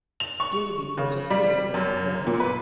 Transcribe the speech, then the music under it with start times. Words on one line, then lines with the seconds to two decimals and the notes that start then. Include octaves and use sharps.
Davy was a queer little fellow.
0.20 F7
0.40 C#6
0.97 C#3
1.30 G3
1.74 F#2
2.27 A#2
2.40 B4